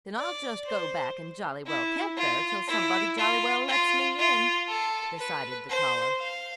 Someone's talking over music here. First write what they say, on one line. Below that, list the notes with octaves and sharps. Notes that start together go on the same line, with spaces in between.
"Then I'll just go back and jolly well camp there till somebody jolly well lets me in," decided the caller.
D5
C5
E4
F4
E4
F4
F4
F4
A4
B4
C5
F5